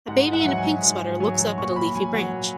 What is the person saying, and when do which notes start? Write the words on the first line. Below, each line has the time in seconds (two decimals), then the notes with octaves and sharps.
A baby in a pink sweater looks up at a leafy branch.
0.08 G#2 F#5
0.27 G#2
0.33 F#5
0.40 E5
0.45 F#3 F#5
0.58 G#5
0.64 F#3
0.82 G#2 G#5
1.01 G#2
1.20 F#3 G#5
1.39 F#3
1.58 A#2 C#6
1.76 A#2 B5
1.95 F#3 G#5
2.14 F#3 F#5
2.33 A#2